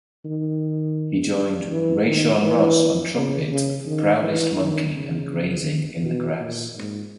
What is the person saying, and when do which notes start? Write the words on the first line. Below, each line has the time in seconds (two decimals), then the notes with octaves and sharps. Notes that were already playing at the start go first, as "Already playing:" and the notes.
He joined Rashawn Ross on trumpet for "Proudest Monkey" and "Grazing in the Grass".
0.25 D#3
1.70 E3
2.06 D#3
2.42 E3
3.15 C#3
3.51 C#3
3.87 D#3
4.23 E3
4.59 D#3
4.96 C#3
6.04 B2
6.41 A#2
6.76 G#2